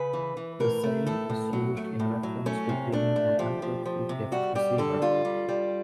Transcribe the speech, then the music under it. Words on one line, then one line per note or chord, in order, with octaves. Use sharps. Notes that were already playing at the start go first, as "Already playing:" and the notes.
The saying is used in reference to being an ungrateful gift receiver.
Already playing: C#3 B4
E3
E3
A2 A#4
A3
A2 A4
A2
F#3
A3
A2
F#3
A3 C#4
C3
A3 D4
A3
F3 G4
F3
F3
C3
G3 F#4
G3 G4
D3 A4
G3 F4
G3
G3